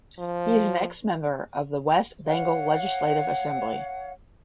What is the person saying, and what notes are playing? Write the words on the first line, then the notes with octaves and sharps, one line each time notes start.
He is an ex member of West Bengal Legislative Assembly.
F3
C#5 F5 F#5